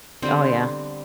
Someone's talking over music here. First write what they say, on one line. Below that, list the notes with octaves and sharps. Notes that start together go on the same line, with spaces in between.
Oh, yeah.
D3 G3 B3 C4